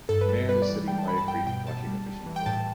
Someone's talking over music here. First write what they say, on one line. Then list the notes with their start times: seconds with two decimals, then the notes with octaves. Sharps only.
A man is sitting by a creek, watching a fishing pole.
0.09 G2 A4
0.21 B4
0.29 G3 A4
0.48 G3 B4
0.62 D5
0.68 E3
0.88 G3 G5
0.98 A5
1.08 G2 B5
1.18 A5
1.28 G3 G5
1.47 B2 G5
1.67 B2 A5
1.87 G3
2.06 G3
2.26 E3
2.36 G5
2.46 A2 A5